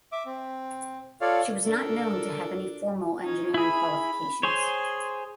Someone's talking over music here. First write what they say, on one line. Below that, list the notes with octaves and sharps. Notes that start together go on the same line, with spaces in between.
She was not known to have any formal engineering qualifications.
E5 D6
C4
F4 A4 C#5 D5 F5
D4 A4 A#4
C#4 D#4
E4 G#4 B5
G#4 C5 C#5 G#5 C6